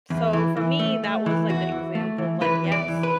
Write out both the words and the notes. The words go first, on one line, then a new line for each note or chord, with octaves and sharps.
so for me, that was like the example of, like, "Yes,"
E2
E3
E3
A3
A3
E3
E2 F#4
E3
A3
E3
E3 B4
E2
D5
E3
B4